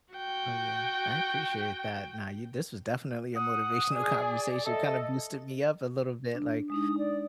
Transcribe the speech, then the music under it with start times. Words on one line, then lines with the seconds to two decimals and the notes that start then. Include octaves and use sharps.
Oh, yeah, I appreciate that. Now you this was definitely a motivational conversation, kind of boosted me up a little bit, like,
0.13 F#4 G5
3.36 F#5 D#6
3.92 G#4 D5
4.65 A4 D#5 E5
6.34 D4
6.70 G#3 D4 D#4 D#6
6.98 D5